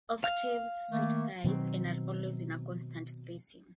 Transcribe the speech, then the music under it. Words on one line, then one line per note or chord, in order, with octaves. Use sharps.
Octaves switch sides and are always in a constant spacing.
F5
D#3 A3 A#3
B2 D#3 F#3 C4